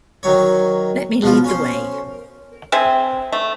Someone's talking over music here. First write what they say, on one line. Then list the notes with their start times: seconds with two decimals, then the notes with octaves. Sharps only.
Let me lead the way.
0.23 D#3 F#3 C#5
1.22 B2 F3 F4
1.44 C#4 C5
2.72 C4 G#4 E5 G#5
3.32 A3